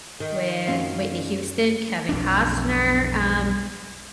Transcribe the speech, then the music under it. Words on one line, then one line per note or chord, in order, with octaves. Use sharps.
with Whitney Houston, Kevin Costner, um,
D#3
F#2 C4 C#4 F5
B1 F2 D4